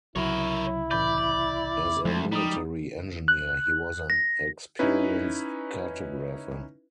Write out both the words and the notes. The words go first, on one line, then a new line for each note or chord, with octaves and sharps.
As a military engineer, he was an experienced cartographer.
C2 C#3 F#3 E4 A#4 C#5
A1 D5 B5 G6
D2 F3 G#3 A3
G3 D#4 D#6
F#6
A#6
C#4 D#4 E4 B4